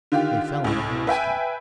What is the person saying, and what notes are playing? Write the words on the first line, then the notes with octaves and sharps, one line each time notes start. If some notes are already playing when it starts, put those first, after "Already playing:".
They fell in a hailstorm.
D3 D#3 F4 G4
C#2 A2
B4 E5 G5 G#5